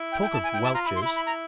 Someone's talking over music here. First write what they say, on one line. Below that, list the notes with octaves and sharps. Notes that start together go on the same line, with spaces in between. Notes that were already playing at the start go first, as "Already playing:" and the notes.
Talk of welchers!
Already playing: E4
G5
G5
A5
G#5
G5
A5
F4 A#5
B5
E4
C6
E4 B5
B5
A#5